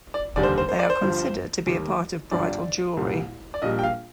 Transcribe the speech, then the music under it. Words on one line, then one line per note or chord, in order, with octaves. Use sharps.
They are considered to be a part of bridal jewellery.
D5
F1 D#2 D3 G3 D5
C5
C5
C5
D5
C5
G1 G2 F3
D#2 D#3 G3
G1 G2 F3 D5
C2 A#2 G3
D5
A#1 A#2 G3 D#5
G5
F5